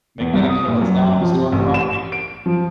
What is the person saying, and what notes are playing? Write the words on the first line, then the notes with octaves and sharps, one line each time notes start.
Magnetic Hill is now a historic property.
E2
C2
D#6
A#2
F#2
F#2
F3
C3
A1
E7
D7
F3